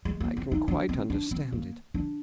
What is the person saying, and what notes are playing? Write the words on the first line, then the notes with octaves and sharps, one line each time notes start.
'I can quite understand it.
G#3
A#3
C4
D#4
D4
C4
D4
C4
A#3
D4